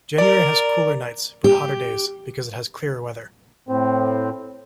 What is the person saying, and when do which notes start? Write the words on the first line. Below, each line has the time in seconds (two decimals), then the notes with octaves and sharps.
January has cooler nights but hotter days because it has clearer weather.
0.18 A#4 D5
1.44 G4
3.69 A2 C4